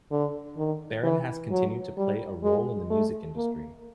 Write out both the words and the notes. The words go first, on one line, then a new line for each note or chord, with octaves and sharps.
Baron has continued to play a role in the music industry.
D3
D#3
E3
F#3
G3
G#3
A3
A#3